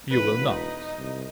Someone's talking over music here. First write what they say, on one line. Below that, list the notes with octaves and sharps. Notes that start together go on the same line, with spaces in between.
"You will not."
E1 B4
D#4
C2